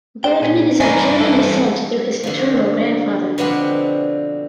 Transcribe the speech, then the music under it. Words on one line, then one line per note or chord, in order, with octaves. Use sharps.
Bergman is of German descent through his paternal grandfather.
G#4 C5 G5
A#2 C#4 G#4
G2 E3 D4 D#4 A#4 D#5 E5 G#5
E4 A4
D3 F3
B2 D3 F3 B3 C4 D4